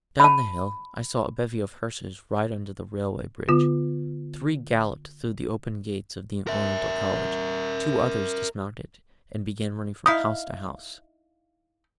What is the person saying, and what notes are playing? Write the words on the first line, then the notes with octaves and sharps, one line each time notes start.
Down the hill I saw a bevy of hussars ride under the railway bridge; three galloped through the open gates of the Oriental College; two others dismounted, and began running from house to house.
A5 B5
D3 B3 F4
A#4 E5
D#4 E4 F5 D#6